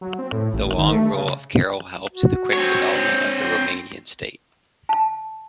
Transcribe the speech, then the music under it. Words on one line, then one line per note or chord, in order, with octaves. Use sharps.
The long rule of Carol helped the quick development of the Romanian state.
F#3
C4
A2
A1
G#1
D#3
A3
C#3
F#4
C4 C#5
A5